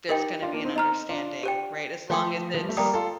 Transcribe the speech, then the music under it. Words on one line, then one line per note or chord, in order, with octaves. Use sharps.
there's gonna be an understanding, right? As long as it's
D#4 G4 A#4 D#5 G5
D4 F4
A#3 D4
C4 D#4
C4 D#4 D#5 A#5 F6
D4 F4
G4 C5 G5
F3 A3 C5 G5 C6 D#6
F3
G3
A3
G3 A#3 D5 G5 A#5 D#6
F4 A4